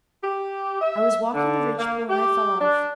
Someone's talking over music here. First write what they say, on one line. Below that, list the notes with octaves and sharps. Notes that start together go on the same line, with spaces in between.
I was walking the ridgepole and I fell off.
G4
E5
D3
A#3
G4
D4